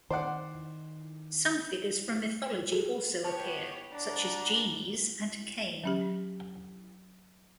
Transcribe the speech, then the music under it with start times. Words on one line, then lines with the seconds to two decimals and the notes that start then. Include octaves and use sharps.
Some figures from mythology also appear, such as genies and Cain.
0.10 D#3 C5 D5 F#5
2.72 G#4 A4
3.25 B3 G4 C#5 A5
3.92 G3 D4 F#5 A#5
5.84 F#3 C#4 G4